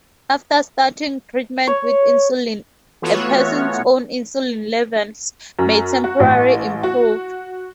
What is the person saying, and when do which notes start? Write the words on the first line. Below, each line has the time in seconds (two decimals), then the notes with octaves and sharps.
After starting treatment with insulin a person's own insulin levels may temporarily improve.
1.67 C#5
3.02 E3 A3 B3 F4 F#4 C#5
5.59 F#2
6.04 F#4
6.20 A1
6.83 F#4